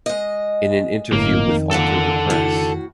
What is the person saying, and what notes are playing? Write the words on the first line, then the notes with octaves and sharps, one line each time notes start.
In an interview with Alter The Press!
G#3 D#5
G1 A2 A#3
F2 D#3
F#2 A#2 A#3 A4 F#5
A2 F#4